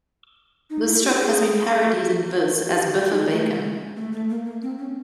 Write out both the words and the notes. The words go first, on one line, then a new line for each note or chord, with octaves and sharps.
The strip has been parodied in "Viz" as Biffa Bacon.
D#4
E4
G4
G#4
G4
F#4
D#4
A3
G#3
A3
A3
A#3
A#3
C4
C#4